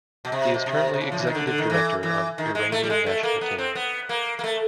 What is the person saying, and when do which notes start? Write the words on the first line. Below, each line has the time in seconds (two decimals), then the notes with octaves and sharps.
He is currently Executive director of Iranian national team.
0.25 B2
0.32 C3
0.54 B2
0.66 C3
0.94 C3
1.01 C#3
1.12 F3
1.19 E3
1.27 D#3
1.35 D3
1.47 D3
1.58 D#3
1.70 E3
2.03 E3
2.38 D#3
2.55 G#3
2.72 A3
2.83 G3
2.90 G#3
3.06 A3
3.23 A#3
3.41 B3
3.58 C4
3.75 B3
4.09 A#3
4.39 A#3
4.44 A3